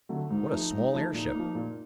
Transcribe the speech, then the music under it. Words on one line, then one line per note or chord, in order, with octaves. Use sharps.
"What a small airship."
D3 F#3 A3
G#2 D#4
F3 A3
G#2
F3 A3
A#2 D#4
F3 A#3
A#2